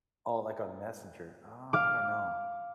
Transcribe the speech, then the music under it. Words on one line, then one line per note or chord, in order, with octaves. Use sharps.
Oh, like, on Messenger. Oh, I don't know.
F5 D6